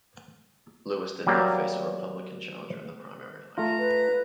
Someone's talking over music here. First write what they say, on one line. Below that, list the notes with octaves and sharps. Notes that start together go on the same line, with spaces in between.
Lewis did not face a Republican challenger in the primary election.
F#3 G3 A#3
A3 F4 A#5
B4